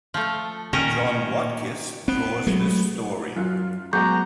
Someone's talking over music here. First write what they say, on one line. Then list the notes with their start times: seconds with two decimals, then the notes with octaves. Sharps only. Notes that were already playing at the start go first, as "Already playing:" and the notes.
John Watkiss draws this story.
0.14 F3 A3
0.73 A#2 D#3 C#4 A#5
2.08 B3 C4
2.47 F#3 G#3 A3
3.36 F#2 F#3 F4
3.93 F#3 G#3 B3 G#4 A#5 C#6 D6 G6